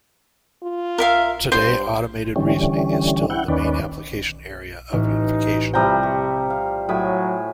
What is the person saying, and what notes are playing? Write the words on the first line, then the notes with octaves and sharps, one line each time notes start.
Today, automated reasoning is still the main application area of unification.
F4
A#4 E5 F5
G2 C5 C6
D3 E3 G3 C#4
E4 F#5 G5
D#2 D#3 C#4 B4 D5
A1 D#4
C3 F3 G3 E4 G5 A#5 D#6
C#6
F5
A2 F#3 G#5 B5 D#6